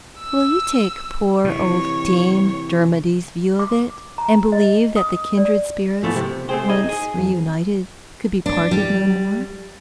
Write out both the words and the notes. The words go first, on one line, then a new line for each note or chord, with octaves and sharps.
Will you take poor old Dame Dermody's view of it, and believe that the kindred spirits, once reunited, could be parted no more?
E6
C3 E3 C#5
D6
A#5
D#5
D#6
D5
G#2 F3 A3 B3 E4 A6
C3 G4
A3 C4 G#4 C5 G5
D#4 D#5 G#6
G#4
F2 F3
D4
G3